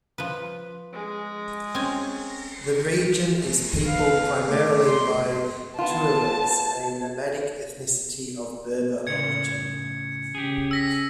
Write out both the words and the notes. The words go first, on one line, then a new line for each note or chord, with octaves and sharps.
The region is peopled primarily by Tuaregs, a nomadic ethnicity of Berber origin.
F3 B4
G#3
C4 C#4 G#5
B4 F5
A3 D#4 D6
C6
B3 F4 A5
A2 C#3 E3 G#6 C#7
C#3 G4 G#4
E6 A#6 B6